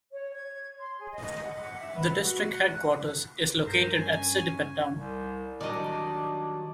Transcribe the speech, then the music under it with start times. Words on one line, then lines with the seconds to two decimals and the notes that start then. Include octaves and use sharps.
The district headquarters is located at Siddipet town.
0.12 C#5
0.34 G#6
0.79 C6
0.99 G#4
1.12 D#5
1.42 F#5
1.56 F#5
1.80 E5
1.95 B4
2.21 F#4
2.44 F#4
2.65 F#6
3.67 G2 A#4 C5
3.94 C#4 G#5
4.93 C2
5.61 D#3 F#3 G3 D4 D5 D#5